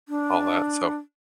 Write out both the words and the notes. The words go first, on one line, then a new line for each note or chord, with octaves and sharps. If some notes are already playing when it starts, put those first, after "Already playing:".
all that, so
D4